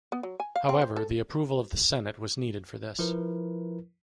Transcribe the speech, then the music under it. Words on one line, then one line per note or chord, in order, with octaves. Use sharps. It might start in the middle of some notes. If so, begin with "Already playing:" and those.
However, the approval of the senate was needed for this.
B3
F#3
G#5
F5
C4
C5
A4
F3 E4 A#4 B4